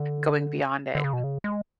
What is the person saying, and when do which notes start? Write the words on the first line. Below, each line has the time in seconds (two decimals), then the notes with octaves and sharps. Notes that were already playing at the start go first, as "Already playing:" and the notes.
going beyond it.
Already playing: D3
0.95 D3
1.04 C#3
1.13 B2
1.24 C#3
1.44 G#3